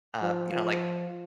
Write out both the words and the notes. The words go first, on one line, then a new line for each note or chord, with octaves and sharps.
uh, you know, like
F3
F3